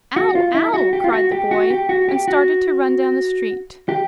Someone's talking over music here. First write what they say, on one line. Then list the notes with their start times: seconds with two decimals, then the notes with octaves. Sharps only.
"Ow, ow!" cried the boy, and started to run down the street.
0.16 F#4
0.35 F4
0.55 E4
0.74 F#4
0.93 G4
1.04 F4
1.12 F#4
1.32 G4
1.51 F#4
1.70 G4
1.89 F#4
2.09 G4
2.28 F#4
3.89 G4